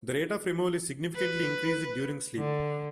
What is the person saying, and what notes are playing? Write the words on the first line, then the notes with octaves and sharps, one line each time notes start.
The rate of removal is significantly increased during sleep.
B4
D3